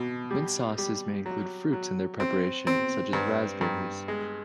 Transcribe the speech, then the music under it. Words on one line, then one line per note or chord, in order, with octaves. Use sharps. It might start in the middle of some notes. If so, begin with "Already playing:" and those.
Mint sauces may include fruits in their preparation, such as raspberries.
Already playing: B2
G3
G3
F#3
F#3
C4
C4
G2
G2
G#3